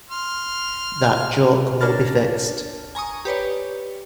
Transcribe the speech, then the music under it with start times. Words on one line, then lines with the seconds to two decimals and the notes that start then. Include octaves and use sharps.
That joke will be fixed.
0.10 C6 F6
1.81 D4 A#4 C#5 A5 F6 A6
2.95 G#5 A#5 C#6 D#6
3.25 G4 B4 C#5 D5